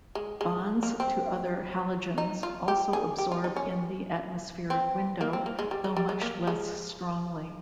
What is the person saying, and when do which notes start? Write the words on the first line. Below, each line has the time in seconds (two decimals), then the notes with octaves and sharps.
Bonds to other halogens also absorb in the atmospheric window, though much less strongly.
0.15 G#3
0.41 G#3
0.83 A#3
1.00 C4
2.18 D#4
2.43 F4
2.68 G4
2.93 G#4
3.18 G4
3.32 F4
3.44 D#4
3.56 C#4
4.70 C4
5.21 A#3
5.33 C4
5.46 A#3
5.59 G#3
5.71 G3
5.84 G#3
5.97 G3
6.09 G#3
6.21 A#3
6.47 G#3